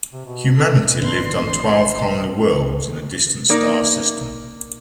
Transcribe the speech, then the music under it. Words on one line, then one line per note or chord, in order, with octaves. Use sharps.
Humanity lived on twelve colony worlds in a distant star system.
C3
B2
A4
D4
G1 A2 D#3 D4 B4 C5 C6
A1 A2
A#3 D#4 A#4 D5